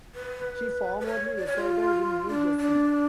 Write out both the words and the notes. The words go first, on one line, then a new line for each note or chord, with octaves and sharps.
She formerly resided in New Jersey.
B4
B4
C#5
D5
C#5
F4
D4
D4